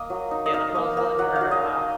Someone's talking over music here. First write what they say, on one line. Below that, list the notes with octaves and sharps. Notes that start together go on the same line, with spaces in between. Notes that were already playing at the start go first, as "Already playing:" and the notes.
yeah, the phone's letting her, uh,
Already playing: A#3 D#5
F#3
D#4
D#5
D#4 F5
A#3
A#3
F#3 F#5
F5
F#3
D#5